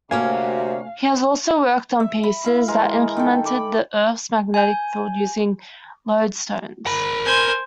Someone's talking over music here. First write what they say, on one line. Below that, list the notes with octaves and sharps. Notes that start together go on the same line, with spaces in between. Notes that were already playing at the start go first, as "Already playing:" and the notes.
He has also worked on pieces that implemented the Earth's magnetic field using lodestones.
D2 C3 A3 A#3 C#4 F#4 F5 G#5
E5
B5
E4 F5 B5
E3 G#3 A#4
D#3 A4 G5
B5 D6
G#5 G6
A#4 B5
C5 G#5